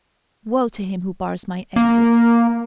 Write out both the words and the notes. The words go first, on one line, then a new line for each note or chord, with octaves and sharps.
Woe to him who bars my exit!
A#3